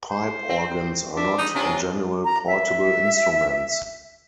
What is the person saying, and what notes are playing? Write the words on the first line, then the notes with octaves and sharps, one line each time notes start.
Pipe organs are not, in general, portable instruments.
C5
C4
D4 E5
E2 D#4 D#6
C3 C#4 D4 F4 A#5
A#5
E5